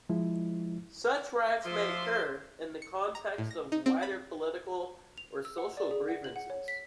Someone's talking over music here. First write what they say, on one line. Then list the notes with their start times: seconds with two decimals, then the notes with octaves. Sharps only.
Such riots may occur in the context of wider political or social grievances.
0.09 F3 G#3 E4
1.65 F3 E5 C6 D6
2.82 C#7
3.15 A#5
3.38 A2
3.51 A#6
3.72 D#4
3.86 C4
4.03 B5
5.18 F7
5.45 E6
5.58 F#5
5.77 D5
5.91 G#4
6.08 F#5
6.24 F#7
6.36 F#5
6.50 C#5
6.68 B6